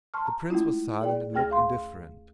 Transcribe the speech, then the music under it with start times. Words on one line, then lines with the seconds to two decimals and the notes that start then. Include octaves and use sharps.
The prince was silent and looked indifferent.
0.14 A5 C6 C#6 F6
0.26 A#5
0.50 G#3 A3 C#4 E4 F4
1.01 G#4 D5 G5
1.33 D2 A3 G#4 G5 F6 A#6
1.51 F5 C6